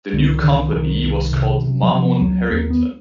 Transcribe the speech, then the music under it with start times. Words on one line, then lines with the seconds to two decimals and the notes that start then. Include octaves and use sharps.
The new company was called Marmon-Herrington.
0.13 C2 D3
0.33 D#3
0.43 C2 D3
0.52 D#3
0.72 C2 D#3
1.03 C2
1.32 C3
1.61 C3
1.83 F#3
1.91 C3 F3
2.21 C#2 F#3
2.50 D#2 A#3
2.70 B3